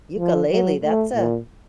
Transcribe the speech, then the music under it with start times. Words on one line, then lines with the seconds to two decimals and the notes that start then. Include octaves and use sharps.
Ukulele, that's a
0.19 F3
0.51 F#3
0.84 A3
1.16 A#2